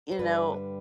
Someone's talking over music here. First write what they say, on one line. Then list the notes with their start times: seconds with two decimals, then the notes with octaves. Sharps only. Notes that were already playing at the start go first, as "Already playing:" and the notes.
you know
0.12 C5
0.19 G2 D3 G3 B4